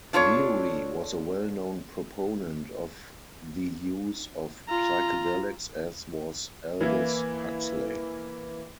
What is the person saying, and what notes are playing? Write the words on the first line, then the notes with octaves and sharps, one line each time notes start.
Leary was a well-known proponent of the use of psychedelics, as was Aldous Huxley.
D4 F4 A4 A#4 C#5
F4 A#5
E3 A#3 E4